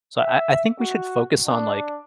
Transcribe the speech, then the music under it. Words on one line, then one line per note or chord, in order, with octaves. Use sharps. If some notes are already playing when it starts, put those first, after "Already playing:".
So I I think we should focus on, like
E5
F#4
D4